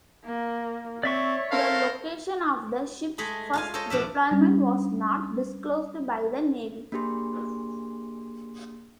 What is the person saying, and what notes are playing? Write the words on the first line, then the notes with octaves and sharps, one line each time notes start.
The location of the ship's first deployment was not disclosed by the Navy.
A#3
C4 C#5 D5 E5 C#6
A4 A#4 C5 F5
G#3 A3 G#4 B5
F4 F5 G#5
A4 C5 C#5 D#5
B2 F3 D4 E5
G3 C#4 D4
A#3 D4 G4 G#4 C6